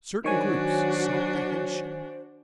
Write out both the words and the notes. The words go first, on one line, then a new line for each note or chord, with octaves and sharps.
Certain groups sought the headship.
D#3 F#3 D4 F#4 C5 C#5 G#5